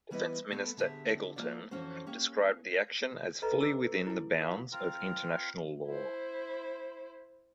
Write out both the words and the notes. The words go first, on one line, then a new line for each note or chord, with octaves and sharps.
Defence Minister Eggleton described the action as fully within the bounds of international law.
E3 G3 B3 E4 B4 D#5
A3 B3 A4
D3 G4 G#4 E5
F3 A#3 F4 F#4 D5
F2 E3 C#4 F#4 C5
A#3 C#4 G4
A4 B4 D#5 A#5
D6 E6
E4 G#5
A#4 F5 F#5
C4 F4 A#4 A#5
E4 C5